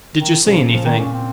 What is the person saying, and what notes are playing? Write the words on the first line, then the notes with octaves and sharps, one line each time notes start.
'Did you see anything?'
D#3
A#2 C#3 F3
A#2 C#3 F3
D#3
A#2 C#4
C4